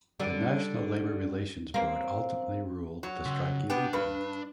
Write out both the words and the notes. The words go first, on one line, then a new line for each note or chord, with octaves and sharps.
The National Labor Relations Board ultimately ruled the strike illegal.
D3 G3
A#3 C4
F#3
C#3 C6
B3 D4 G4
G2 B4